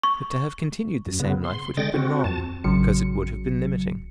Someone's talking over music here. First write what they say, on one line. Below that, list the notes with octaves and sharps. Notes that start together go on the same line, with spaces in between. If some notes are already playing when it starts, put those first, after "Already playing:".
But to have continued the same life would have been wrong because it would have been limiting.
C#6
F#2
C#3 B3
C6
D3 G#3 G5 A6 A#6
C4 F#4
F2 A5
A1 C#3 F#3 C#7